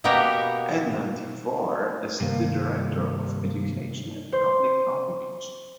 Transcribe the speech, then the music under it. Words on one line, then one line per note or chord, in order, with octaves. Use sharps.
Edna DeVore is the Director of Education and Public Outreach.
B2 A#3 B3 G4 A#4 A#5
G2 C3 D#3 A#3
C5